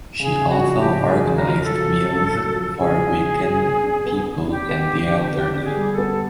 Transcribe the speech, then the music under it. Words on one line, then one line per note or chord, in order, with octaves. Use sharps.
She also organized meals for weakened people and the elderly.
C#3 G#4
C#3
F#4
F3
G4
F3
F#2 G#4
C#3
A#4
F3
A4
F#2
F#2
F3
F#2
F3
C#3 G#4
F3
F#2
F#2
B3
D4
B3
B3
D4 G4
B3
D3
D3
B3 G4
D4
G#4
G3
A4
B3